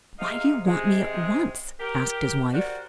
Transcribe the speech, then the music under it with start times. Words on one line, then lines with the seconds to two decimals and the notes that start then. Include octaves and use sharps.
"Why do you want me at once?" asked his wife.
0.19 G#2 C3 D#4 F5
0.66 C3 G#3
1.80 G4 A#4
2.53 F#4 G4 A#4 C5 D5